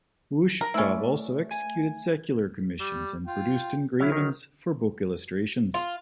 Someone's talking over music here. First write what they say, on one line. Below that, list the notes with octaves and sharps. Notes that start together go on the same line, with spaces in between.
Ushakov also executed secular commissions and produced engravings for book illustrations.
A#4
A3 C#4 E4 D5
G#5
G3
F4 G5
F#3 E4 F6
D#3 F#3
F4